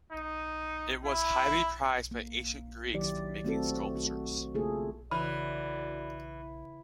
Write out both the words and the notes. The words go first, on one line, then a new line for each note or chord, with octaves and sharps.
It was highly prized by ancient Greeks for making sculptures.
D#4
E4
A#3
D#3 F#3 E4 G4 D5
A3 C4 F#4 A4
A3 F#4
C#3 A3 A#3 F4 G#4 A4
D2 C#3 E3 F#4 D5 B5